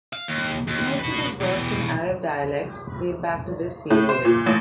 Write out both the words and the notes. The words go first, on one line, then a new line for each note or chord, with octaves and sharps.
Most of his works in Arab dialect date back to this period.
F5
D#2
D#2
F#4 B4
B2 E3
A2
C5
A#2
A1